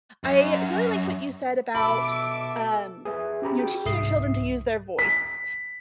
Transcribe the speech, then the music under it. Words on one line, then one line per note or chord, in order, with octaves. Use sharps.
I really liked what you said about, um, you know, teaching your children to use their voice.
F#2
B2 A4 E5 B5 D6
G#4 B4 E5
C#4 G4 A#5 B5
F#4 G#4 G5 B5
C2 G#2 E5 D#6 C7
B6